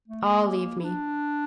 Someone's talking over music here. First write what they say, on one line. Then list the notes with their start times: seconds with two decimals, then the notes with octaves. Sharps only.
"All leave me."
0.08 A3
0.23 A#3
0.79 E4
0.84 D4